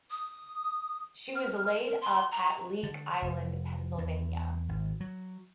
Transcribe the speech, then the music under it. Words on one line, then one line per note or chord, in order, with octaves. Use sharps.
She was laid up at League Island, Pennsylvania.
D#6
F6
A#4
C6
A#5
D3
F1
E2
G#1
F#3